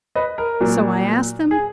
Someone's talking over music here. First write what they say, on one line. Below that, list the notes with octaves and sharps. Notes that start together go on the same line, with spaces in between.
So I asked them.
B4 D#5
A#4
A#2 F#3
G#4